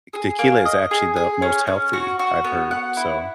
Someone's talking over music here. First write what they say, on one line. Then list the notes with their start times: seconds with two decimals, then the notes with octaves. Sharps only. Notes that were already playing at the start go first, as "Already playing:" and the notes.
tequila is actually the most healthy, I've heard. So,
0.13 G#4
0.39 A#3
0.65 D#5
0.91 G#4
1.16 G#4
1.42 C#4
1.67 C#4
1.93 F#4
2.19 F#4
2.44 B3
2.71 F#5
2.97 E4